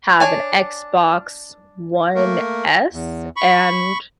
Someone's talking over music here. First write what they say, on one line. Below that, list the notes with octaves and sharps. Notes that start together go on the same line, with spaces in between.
have an Xbox One S, and
D4 C#5 G#5 A5
A3 A#3 A#4
E2
B5 C#6